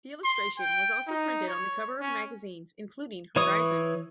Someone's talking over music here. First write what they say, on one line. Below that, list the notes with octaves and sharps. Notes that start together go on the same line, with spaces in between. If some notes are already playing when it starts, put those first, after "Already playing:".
The illustration was also printed on the cover of magazines, including "Horizon".
C6
G5
D#4
C#5
C#4
E3 C#5 C#6 D#6